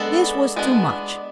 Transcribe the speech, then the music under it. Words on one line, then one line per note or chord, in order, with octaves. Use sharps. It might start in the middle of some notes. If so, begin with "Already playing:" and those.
This was too much.
Already playing: G#3 B3 D4 A4
G#3 B3 D4